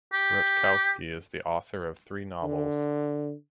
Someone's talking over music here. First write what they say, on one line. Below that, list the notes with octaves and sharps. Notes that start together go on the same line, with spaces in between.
Rutkowski is the author of three novels.
G4
D3